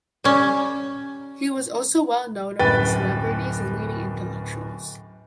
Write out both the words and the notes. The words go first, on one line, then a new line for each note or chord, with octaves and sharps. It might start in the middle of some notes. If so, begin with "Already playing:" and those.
He was also well known among celebrities and leading Intellectuals.
G3 C#4
D1 F#2 B4 G5 A6